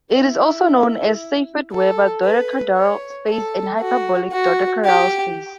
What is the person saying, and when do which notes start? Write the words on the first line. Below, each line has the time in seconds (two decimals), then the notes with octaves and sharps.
It is also known as Seifert-Weber dodecahedral space and hyperbolic dodecahedral space.
0.16 E4
1.72 A4
2.24 B4
2.76 C#5
3.29 A4
3.81 F#4
4.32 F#4
4.84 G4